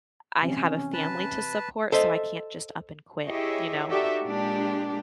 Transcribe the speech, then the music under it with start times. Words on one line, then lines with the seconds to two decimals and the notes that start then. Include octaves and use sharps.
I have a family to support, so I can't just up and quit you know?
0.41 C3 E3 C#4
0.93 B4 A5
1.92 A4 C5 D#5 E5
3.25 E4 G4 G#4 C#5 D#5 E5
3.88 D#4 F#4 G4 A4 D5 E5
4.22 A#2 G#3 D4 G4